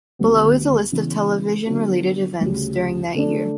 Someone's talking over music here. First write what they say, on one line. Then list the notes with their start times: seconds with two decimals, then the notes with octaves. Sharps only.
Below is a list of television-related events during that year.
0.19 D2 D3 G3 B3
0.92 C#3 E3 B3
1.66 D3 F#3 B3 F#4
2.41 D2 C#3 G3
3.15 D3 A3 D4